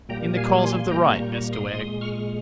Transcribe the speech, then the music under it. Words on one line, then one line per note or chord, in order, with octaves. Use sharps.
'In the cause of the right, Mr Wegg?'
A#2 G3 A#3 G5 A#5
F5 G#5
G#5 C6
A#2 G3 A#3 G5 A#5
A#5 C#6
A#5 C#6
C6 D#6
A#2 G#3 C6 D#6
C#6 F6